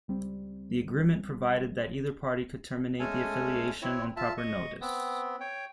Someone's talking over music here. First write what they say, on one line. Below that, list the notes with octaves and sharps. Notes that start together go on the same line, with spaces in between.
The agreement provided that either party could terminate the affiliation on proper notice.
C#2 G3 C4
G#3 A3 C#4 A4 G#5
C4 E4 C#5
F4 E5 A5
D#5 C#6
B3 C4
C#5 G5